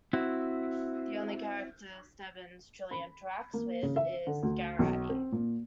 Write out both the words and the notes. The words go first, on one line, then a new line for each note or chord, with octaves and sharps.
The only character Stebbins truly interacts with is Garraty.
C4 E4 F#4
B5
A#3
C#3
E5
D3
D2
B1
C4
A#2